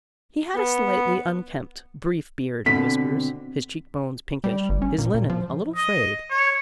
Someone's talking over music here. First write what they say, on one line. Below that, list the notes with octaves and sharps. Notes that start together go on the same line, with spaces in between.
He had a slightly unkempt, brief beard and whiskers, his cheek-bones pinkish, his linen a little frayed.
B3
B2 D3 C4 B6
G3
G1
C#4
A#2
A#2
F3
D#5
C#5